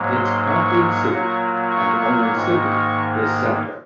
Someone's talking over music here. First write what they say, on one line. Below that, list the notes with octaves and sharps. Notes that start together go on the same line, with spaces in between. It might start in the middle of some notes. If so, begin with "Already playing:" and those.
Its county seat and only city is Center.
Already playing: G#2 F#3 A#3
C6
C#6
A#2 F#3 A#3
C#6
G#2 D#3 A#3